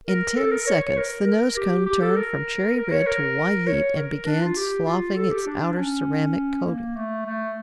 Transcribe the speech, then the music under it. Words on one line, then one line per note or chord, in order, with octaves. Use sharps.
In ten seconds the nose cone turned from cherry-red to white heat and began sloughing its outer ceramic coating.
A#4
A4
A#4
C#5
C#5
A#4
A#4
G4
G4
A4
A#4
A#4
C#5
A#4
C#5
A#4
D4
F4
G4
F4
A4
G4
D4
C#4
A#3
A3
A3